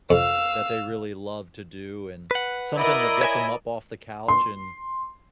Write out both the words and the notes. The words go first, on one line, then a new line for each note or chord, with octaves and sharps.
that they really love to do and something that gets them up off the couch and
F2 F5 E6
B4 F#5
E4 A#4 D5 D#5
C#5 E5 G#5
C6